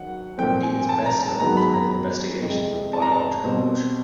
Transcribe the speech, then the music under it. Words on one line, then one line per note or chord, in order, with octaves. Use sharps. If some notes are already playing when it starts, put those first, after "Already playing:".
He is best known for his investigations of biological motion.
Already playing: D#3 F#3 F#5
A#2 F3 A3 C4 G5
G#5
A5
A#5
A5
G#2 D#3 F#3 B3 A#5
B5
A#5
F2 C3 F3 G#3
A5
A#5
A5
B2 G3 C4